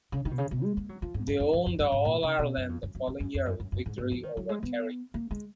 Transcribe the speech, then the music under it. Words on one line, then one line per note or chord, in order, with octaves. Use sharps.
They won the All-Ireland the following year with victory over Kerry.
C#3
D#3
B2
C#3
B2
G#3
A#3
F#3
F3
G#2
F#2
F2
F#2
F2
F#2
G#2
A#2
C#3
B2
F#2
F2
F#2
F#2
F2
F#2
F2
F#2
F#2
F#2
G#2
G#2
F3
D#3
F#3
G#3
B3
A#3
G#3